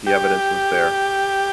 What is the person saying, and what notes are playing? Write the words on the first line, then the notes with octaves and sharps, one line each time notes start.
The evidence was there.
G4